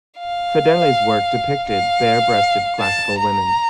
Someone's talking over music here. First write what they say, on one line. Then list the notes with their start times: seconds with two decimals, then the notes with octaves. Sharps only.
Fedeli's work depicted bare-breasted classical women.
0.19 F5
1.69 F5
2.80 A5
3.18 A#5